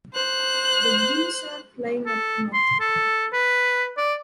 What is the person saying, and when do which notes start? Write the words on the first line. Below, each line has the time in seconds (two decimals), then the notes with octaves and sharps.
The geese are flying up north.
0.13 C5 F#6
2.06 A4
2.54 C6
2.80 A4
3.33 B4
3.98 D5